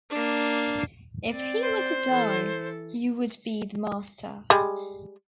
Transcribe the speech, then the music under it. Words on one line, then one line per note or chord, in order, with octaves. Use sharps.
If he were to die, you would be the master.
A#3 D4
C4 D5
C5
E3 A4
G3 G#3